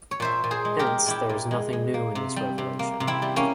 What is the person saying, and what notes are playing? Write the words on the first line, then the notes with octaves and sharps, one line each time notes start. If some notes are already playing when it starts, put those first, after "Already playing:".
Hence, there is nothing new in this revelation.
C#5
A#2 C5 E5
A#2
G#4 C5
G#3
G4 A#4
G#3
A#2 E4 G4
A#2
G#3
G#3
A#3
C3
G3
C3
A#3
C3
C4 E4
G3
A#3 C#4